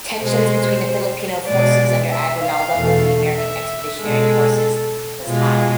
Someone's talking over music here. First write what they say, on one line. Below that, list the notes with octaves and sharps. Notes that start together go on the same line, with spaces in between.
Tensions between the Filipino forces under Aguinaldo and the American Expeditionary forces was high.
B2 G#3 C5
B2 G#3 D5
E5
F5
E2 B2 A3
E5
B2 G#3 A4
B2 G#3 F4